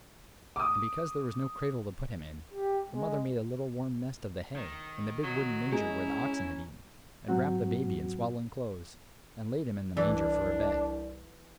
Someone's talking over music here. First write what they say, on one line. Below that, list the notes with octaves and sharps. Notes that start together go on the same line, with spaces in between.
And because there was no cradle to put Him in, the mother made a little warm nest of the hay in the big wooden manger where the oxen had eaten, and wrapped the baby in swaddling clothes, and laid Him in the manger, for a bed!
D6 D#6
G4
G#3
D#3
F#3
G#3 C#4 E4 A#5
G#2 F#3 C4 F#4
C2 E3 D4 D5